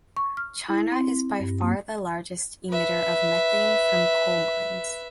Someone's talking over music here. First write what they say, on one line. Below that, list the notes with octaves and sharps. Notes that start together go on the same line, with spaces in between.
China is by far the largest emitter of methane from coal mines.
C#6
F6
E4
C4
G2
A#3
B4 E5